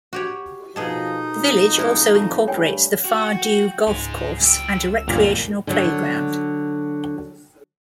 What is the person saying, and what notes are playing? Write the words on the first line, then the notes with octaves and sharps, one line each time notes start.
The village also incorporates the Fardew golf course and a recreational playground.
F#4 G4 C#5
B2 F3 D#4 G#4 A4 D#5
F2
G#3 E4
A3
G2 C#5 G5 G#5
F#4 G5
C#2 G#2 D#4 G#4
F#2 G5 E6
G1 F2 A#2 A#3 A#4 G5
D3 F#3